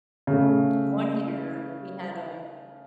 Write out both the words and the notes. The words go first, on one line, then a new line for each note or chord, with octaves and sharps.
One year we had a
C#3 A3